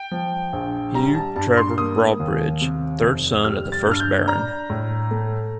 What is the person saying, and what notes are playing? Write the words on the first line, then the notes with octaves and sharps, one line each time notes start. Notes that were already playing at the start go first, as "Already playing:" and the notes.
Hugh Trevor Broadbridge, third son of the first Baron.
Already playing: G5
F3
A#1
G3 A#5
A5
G2 A5
C6
A#3 D#6
D#2
C3
F1
G3 F6
A6
G2
F6
G6
D4 A#5
A2
A3